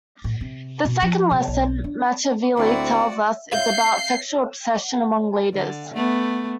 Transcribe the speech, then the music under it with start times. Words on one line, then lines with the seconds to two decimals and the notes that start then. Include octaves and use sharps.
The second lesson Machiavelli tells us is about sexual obsession, among leaders.
0.24 A2
0.41 C3
0.85 B2
1.02 F3
1.31 C3
1.48 B1
1.84 D4
2.57 D2 G#2 C4 E4 F#4 D5
3.52 E5 F5 G6 C7
5.54 D3
5.94 A3 B3